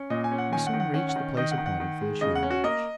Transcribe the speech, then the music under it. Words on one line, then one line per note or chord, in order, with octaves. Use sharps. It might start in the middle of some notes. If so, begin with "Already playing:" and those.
We soon reached the place appointed for the shooting-match.
Already playing: C#4
A#2 D#5
G#5
C#4
F#5
D#3 G#5
F#5
D#3
F#5
C#4 F#5
F#5
D#3
D#3 D#5
F#5
D#3
F#5
D#3
G#3
C#3 D#5
F#5
C#4
F#4
A#3 D#5